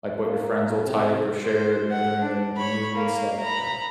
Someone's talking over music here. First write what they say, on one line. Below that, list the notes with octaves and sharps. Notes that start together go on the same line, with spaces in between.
like, what your friends'll type or share, you know, during the movie and stuff, so
A#3
C3
C5
F#5
D4
C#5 B5
A#3
A#5 B5